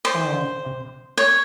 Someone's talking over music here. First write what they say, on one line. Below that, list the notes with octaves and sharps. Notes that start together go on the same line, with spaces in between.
Oh. Uh-uh.
C5
C#5